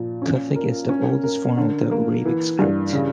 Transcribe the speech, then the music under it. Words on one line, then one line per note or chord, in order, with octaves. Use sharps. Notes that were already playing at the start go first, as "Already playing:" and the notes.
Kufic is the oldest form of the Arabic script.
Already playing: A#2 F3
C#4
A#4
C#4
A#4
D3
A#3
E3
G2
C#3